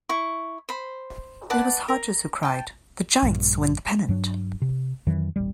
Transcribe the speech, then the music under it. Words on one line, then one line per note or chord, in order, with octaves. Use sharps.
It was Hodges who cried, The Giants win the pennant!
E4 C#6
C5 B5
B4 D5 F#5 A5
A#4
G5 A5
A#1 G2
G2 F#3 D4
C3
F2 D#3 E3 F#3
D#1 A1 G3